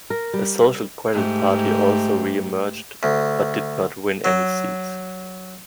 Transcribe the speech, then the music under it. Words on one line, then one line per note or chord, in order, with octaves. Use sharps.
The Social Credit Party also re-emerged, but did not win any seats.
A#4
G3
G#2 A3 G4
D2
F#3